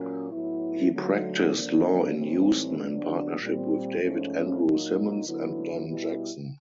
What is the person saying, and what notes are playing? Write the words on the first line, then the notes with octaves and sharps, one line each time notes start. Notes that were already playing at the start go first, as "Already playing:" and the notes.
He practiced law in Houston in partnership with David Andrew Simmons and Dan Jackson.
Already playing: A#2 F#3 A#3 C#4
A2 F#3 B3 E4
D3 F#3 A3
D2 D3 F3 A#3 D4
A2 E3 G3 C4
D2 D3 F#3 B3 D4
A#2 G3 C4
G#2 F3 A3 C#4
A#2 F#3 A#3 D#4
D3 F#3 B3 E4
B2 G3 B3 E4